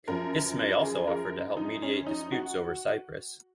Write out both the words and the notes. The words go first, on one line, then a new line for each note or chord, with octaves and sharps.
Ismay also offered to help mediate disputes over Cyprus.
F#2 F3 A#4
G#4
A#4
D#4
C#4
D#4
F#4